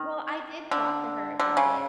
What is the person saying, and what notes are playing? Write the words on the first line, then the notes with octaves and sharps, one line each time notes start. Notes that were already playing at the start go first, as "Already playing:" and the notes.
Well, I did talk to her about it,
Already playing: D#3
D3
D3
C#3